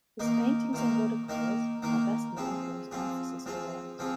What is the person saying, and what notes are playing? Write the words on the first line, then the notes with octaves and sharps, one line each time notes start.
His paintings and watercolors are best known for his emphasis on light.
D#3 A#3 D#4 A#4
D#3 A#3 D#4 A#4
D#3 A#3 D#4 A#4
D#3 A#3 D#4 A#4
F3 C4 F4 G#4
F3 C4 F4 G#4
F3 C4 F4 G#4
F3 C4 F4 G#4